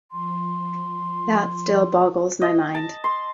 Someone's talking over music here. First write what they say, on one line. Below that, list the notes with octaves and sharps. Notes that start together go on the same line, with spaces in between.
That still boggles my mind.
F3 C6
D#5
A5
C6